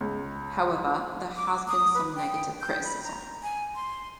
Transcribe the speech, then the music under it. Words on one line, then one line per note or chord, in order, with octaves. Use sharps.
However, there has been some negative criticism.
C#2
D6
D#6
B4
G5
G6
B5
A#5
G#5
C6